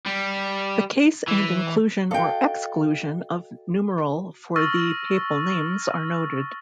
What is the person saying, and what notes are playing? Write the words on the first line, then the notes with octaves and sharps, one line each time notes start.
The case and inclusion or exclusion of numeral for the papal names are noted.
G3
E3
F#4 A4 D#5 F5 G5
C#6 E6 F6 A6 A#6